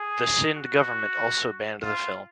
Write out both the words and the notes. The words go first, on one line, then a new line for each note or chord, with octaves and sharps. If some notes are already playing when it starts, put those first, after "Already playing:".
The Sindh government also banned the film.
Already playing: G#4
F#4
F4